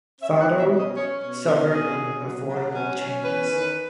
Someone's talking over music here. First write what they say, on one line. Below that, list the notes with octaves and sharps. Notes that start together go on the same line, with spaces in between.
Fado suffered unavoidable changes.
C#4 E5
F#5
B2
E5
C#4
D#5
C#4 C#5
B2 C#5
C#4 A#4
B2 G#4
B2
F#3
F#3
C#4
C#4
E2 B4
D#3